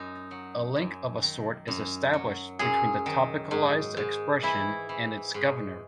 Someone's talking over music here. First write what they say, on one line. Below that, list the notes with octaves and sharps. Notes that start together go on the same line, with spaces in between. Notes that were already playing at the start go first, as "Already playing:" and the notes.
A link of a sort is established between the topicalized expression and its governor.
Already playing: F#2 D#4
F#3
F#2
D#3
F#2
F#3
F#2 G#4
D#3
G#2
G#2
E3 E4
E3
G#2